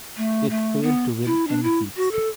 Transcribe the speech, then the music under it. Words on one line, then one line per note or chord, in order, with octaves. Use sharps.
It failed to win any seats.
A3
A3
B3
E4
D4
E4
F#4
A4